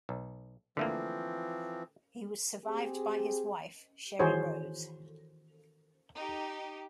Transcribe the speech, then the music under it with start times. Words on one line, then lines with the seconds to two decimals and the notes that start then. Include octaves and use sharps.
He was survived by his wife Sheree Rose.
0.09 B1
0.77 D3 E3 F3 A3 A#3 C4
2.65 C4 G4 G#4
4.19 D#3 E3 F#4 G#4 C5 C#5
6.16 D#4 G4